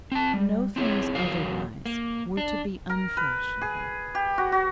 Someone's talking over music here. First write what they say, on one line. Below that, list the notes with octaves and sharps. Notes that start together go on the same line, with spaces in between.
To know things otherwise were to be unfashionable.
C4 A5
G3
C4 E4 G#4 C#5
E2 F#3 A#4 F5
A#3
D4
A#4
B4
G#4
G4
F#4
F#4